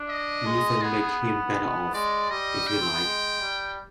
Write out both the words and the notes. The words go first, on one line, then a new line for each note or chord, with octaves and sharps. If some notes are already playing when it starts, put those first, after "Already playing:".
Even make him better off, if you like.
Already playing: D4
D#5
G#3
B3 G#4
G#3 D5
G3 D#5
G5
C4
B3
G#3
G3